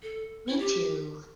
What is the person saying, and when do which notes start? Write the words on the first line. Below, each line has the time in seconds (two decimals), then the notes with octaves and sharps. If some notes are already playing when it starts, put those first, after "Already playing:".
Me too.
0.03 A4
0.48 E4
0.59 G4